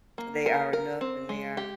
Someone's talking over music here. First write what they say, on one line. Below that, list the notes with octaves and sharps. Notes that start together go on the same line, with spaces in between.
they are enough and they are
A#3
A#4
A#4
C4
G#3
G4